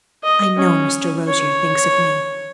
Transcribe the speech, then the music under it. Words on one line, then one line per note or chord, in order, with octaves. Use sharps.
"I know Mr. Rosier thinks of me."
D#5
C#4
C#5